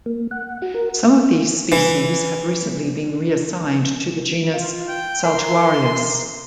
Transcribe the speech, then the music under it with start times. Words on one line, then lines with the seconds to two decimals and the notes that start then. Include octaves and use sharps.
Some of these species have recently been reassigned to the genus "Saltuarius".
0.06 A#3
0.31 F#5
0.62 F#4
0.75 A#4
1.72 E3
4.53 F4
4.88 G5
5.23 A#4 C6